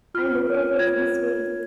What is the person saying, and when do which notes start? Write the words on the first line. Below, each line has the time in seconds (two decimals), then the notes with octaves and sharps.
I look at it this way.
0.14 F4 F6
0.47 A#4 C#5
0.79 F4 G#6